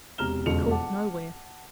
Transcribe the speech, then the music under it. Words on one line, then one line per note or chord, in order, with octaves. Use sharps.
'We called nowhere.
E1 C3 A#5 F6 E7 G7
E1 F2 C#3 C#7 F7
F#5 A5 D6